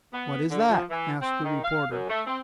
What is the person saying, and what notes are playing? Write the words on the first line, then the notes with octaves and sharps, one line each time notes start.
"What is that?" asked the reporter.
B3
D3
F3
E3
C4
D#3
F5
F#2
A3
C4